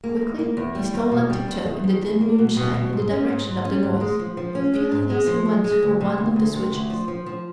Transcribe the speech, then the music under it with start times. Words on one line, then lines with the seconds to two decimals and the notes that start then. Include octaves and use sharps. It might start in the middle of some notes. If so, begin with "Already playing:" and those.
Quickly he stole on tiptoe in the dim moonshine in the direction of the noise, feeling as he went for one of the switches.
0.04 A#3
0.21 E2
0.39 A#3
0.57 E2
0.75 G3
0.94 E2
1.11 B2
1.30 G3
1.48 E2
1.66 E2
1.84 E2
2.02 E2
2.21 A#3
2.38 B2
2.57 B2
2.74 B2
2.93 G#2
3.10 C#4
3.29 G#2
3.47 G#2
3.65 C#4
3.83 G#2
4.01 G#3
4.19 F3
4.37 F3
4.55 C#4
4.74 G#3
4.91 G#2
5.10 G#3
5.27 F3
5.45 G#3
5.64 G#3
5.82 D2
6.01 C3
6.18 D2
6.36 D2
6.54 C3
6.72 D2
6.90 F3
7.08 F3
7.26 F3